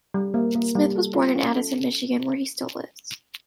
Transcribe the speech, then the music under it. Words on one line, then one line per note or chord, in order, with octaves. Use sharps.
Smith was born in Addison, Michigan, where he still lives.
G3
A#3
A#3
G3
A4
F4
C#4
A4